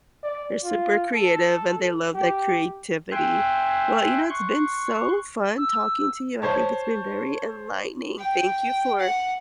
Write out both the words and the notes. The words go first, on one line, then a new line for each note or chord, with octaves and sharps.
they're super creative and they love that creativity. Well, you know, it's been so fun talking to you, I think it's been very enlightening. Thank you for
D5
F4
A4
G4
E5 G5 G#5 C6 F#6
C6 C#6 F#6
E6
C5 C#5 A5
G5
F#5